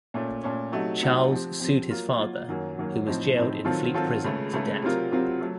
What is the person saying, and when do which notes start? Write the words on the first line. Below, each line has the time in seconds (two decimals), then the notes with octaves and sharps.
Charles sued his father, who was jailed in Fleet Prison for debt.
0.14 A#2 A3 C#4
0.43 A#2 A3 C#4
0.72 C3 F#3 A3 D#4 F#4
1.02 C3 F#3 A3 D#4 F#4
1.31 C3 F3 C4
1.60 C3 F3 C4
1.89 F#3 A#3 F4 A#4
2.19 F#3 A#3 F4 A#4
2.48 F#2 D#3 F#3 A#3
2.77 F#2 D#3 F#3 A#3
3.06 A2 F3 C4 D#4
3.36 A2 F3 C4 D#4
3.65 D#3 F#3 C4 F4 A4
3.94 D#3 F#3 C4 F4 A4
4.24 C#2 C#3 A3
4.53 C#2 C#3 A3
4.82 C3 F#3 C4 F4 A#4
5.11 C3 F#3 C4 F4 A#4
5.41 F#3 A3